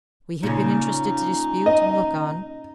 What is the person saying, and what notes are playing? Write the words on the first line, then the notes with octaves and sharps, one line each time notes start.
We had been interested to dispute and look on.
A#2 C#3 D#4
D#5